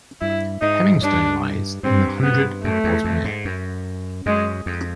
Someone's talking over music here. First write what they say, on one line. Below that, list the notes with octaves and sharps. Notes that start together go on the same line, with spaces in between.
Hemingstone lies in the hundred of Bosmere.
G2 E4
G#2 D#4
G2 D4
G2 C4
B3
F#2 A3
E2
F2
G#2
F#2
F#2 G#3
F2